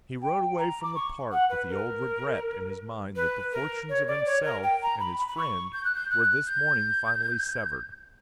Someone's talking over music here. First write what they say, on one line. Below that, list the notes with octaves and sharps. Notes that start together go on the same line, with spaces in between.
He rode away from the park with the old regret in his mind that the fortunes of himself and his friend were this morning finally severed.
G5
A#5
D6
C#6
F#5
B4
A#4
B4
A#4
C#5
D5
C#5
A#4
G5
A#5
B5
B5
B5
C#6
G6
F#6
G6
F#6
G6